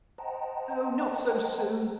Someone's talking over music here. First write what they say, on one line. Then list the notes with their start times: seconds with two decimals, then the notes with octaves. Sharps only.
'Oh, not so soon!
0.18 C5 D#5 F#5 G5 A5 A#5